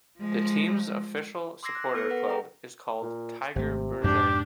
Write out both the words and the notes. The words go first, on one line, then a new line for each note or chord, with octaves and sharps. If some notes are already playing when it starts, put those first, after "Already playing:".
The team's official supporter club is called "Tigerberget".
F3 G#3
C6 D6 E6 G#6 A#6 C7
F#6
B3 A4 B4 A#6 C7 C#7
A#4 B4 F#5
G#4 A4 G5 A#5
A#2
G#1 C3 A3
F2 G#2 B2 D4 G4